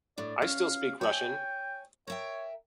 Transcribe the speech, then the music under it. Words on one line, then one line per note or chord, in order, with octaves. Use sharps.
I still speak Russian.
A2 D4 D5
C#4 F5
C#5 G5 G#5
A#4 C#5 E5 G5